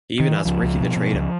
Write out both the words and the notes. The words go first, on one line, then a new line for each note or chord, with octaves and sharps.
He even asked Rickey to trade him.
D#3
E3
C#2 F3
C#2
B2
B2
C#2